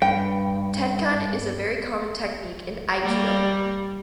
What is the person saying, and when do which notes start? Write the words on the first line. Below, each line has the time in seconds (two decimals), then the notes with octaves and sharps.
Tenkan is a very common technique in aikido.
0.02 G2 G5
3.02 G3 A#3